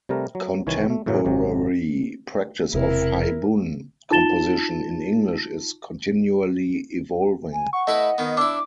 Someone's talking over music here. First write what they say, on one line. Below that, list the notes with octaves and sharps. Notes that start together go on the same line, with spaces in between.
Contemporary practice of "haibun" composition in English is continually evolving.
C3 G3 A3 A#4
F#3
C2 D#3 E3 C#5 G#5
A3
F#2 A2 C#3 E3 F#3
G#1 C3 F#3
E1 C3 E4 A#4
D#4 F4 A5 A6 E7 G7
G#5
F#5 C#6
A3 E4 B4 D#5
D#3 B3
D4 E4 D6 E6